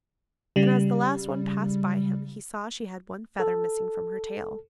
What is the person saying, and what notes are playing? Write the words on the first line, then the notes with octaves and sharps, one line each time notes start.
And as the last one passed by him, he saw she had one feather missing from her tail.
C#3 G3
A4